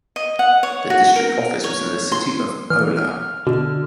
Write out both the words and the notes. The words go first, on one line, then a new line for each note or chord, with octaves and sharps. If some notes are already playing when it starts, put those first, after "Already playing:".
The district office was in the city of Ohlau.
D#5
F#5
C#5
F#4
A#4
C#5
C6
E3 F6
B2 D3